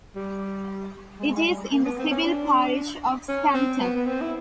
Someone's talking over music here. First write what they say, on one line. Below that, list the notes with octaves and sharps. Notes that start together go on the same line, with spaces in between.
It is in the civil parish of Scampton.
G3
G#3
G#3
G3
A#3
B3
C4
C#4
D4
C#4
C4
B3
B3
C4
E4